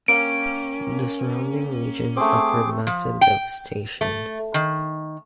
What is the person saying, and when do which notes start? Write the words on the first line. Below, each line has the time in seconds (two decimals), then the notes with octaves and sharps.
The surrounding region suffered massive devastation.
0.08 A#3 C#4 G5 D7
2.16 A3 C4 G#4 D6
2.87 F3
3.21 G5
4.01 A3
4.54 D#3